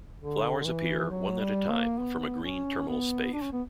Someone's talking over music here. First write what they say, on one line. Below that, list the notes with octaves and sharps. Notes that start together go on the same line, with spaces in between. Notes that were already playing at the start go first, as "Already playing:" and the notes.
Flowers appear one at a time from a green terminal spathe.
D3
D3
E3
F#3
G3
A#3
B3
C#4
B3
D4
C#4
B3